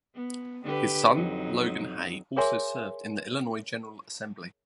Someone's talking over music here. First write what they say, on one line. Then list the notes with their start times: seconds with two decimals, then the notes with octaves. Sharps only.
His son Logan Hay also served in the Illinois General Assembly.
0.15 B3
0.63 D3 G4 B4
1.14 F2 F#3 D#4
2.37 G#4 A#4 C#5 E5 G#5 C6